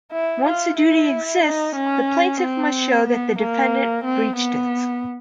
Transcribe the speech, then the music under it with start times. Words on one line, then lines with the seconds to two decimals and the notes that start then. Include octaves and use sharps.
Once a duty exists, the plaintiff must show that the defendant "breached" it.
0.12 E4
0.45 F4
0.78 E4
1.43 D#4
1.75 C#4
2.41 C4
3.06 B3
3.39 A#3
4.04 C4
4.37 B3